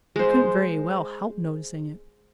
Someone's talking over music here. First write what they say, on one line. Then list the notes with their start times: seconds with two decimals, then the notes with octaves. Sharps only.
"I couldn't very well help noticing it."
0.16 G#3 C5